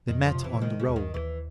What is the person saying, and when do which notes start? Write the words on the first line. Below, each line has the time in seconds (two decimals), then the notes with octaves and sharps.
They met on the road.
0.08 F2 D#3
0.26 F3
0.35 C3
0.44 E3
0.62 D#3 G#3
0.80 C#3
0.88 D#2
0.96 D#3
1.14 D#2 E3